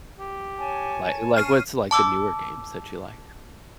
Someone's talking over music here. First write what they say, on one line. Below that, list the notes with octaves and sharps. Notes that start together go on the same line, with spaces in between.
like like, what's, like, the newer games that you like?
G4
C#5 G#5 A5
C#4 F6 C7 D#7
A5 D6 E6